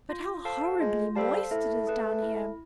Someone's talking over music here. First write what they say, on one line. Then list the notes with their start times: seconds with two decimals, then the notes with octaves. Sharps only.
But how horribly moist it is down here!
0.10 F4
0.45 A4 C5 F5 A5
0.80 G#3 F4
1.16 G3 A4 C5 F5 A5
1.51 A3 E4
1.87 G#4 B4
2.22 E4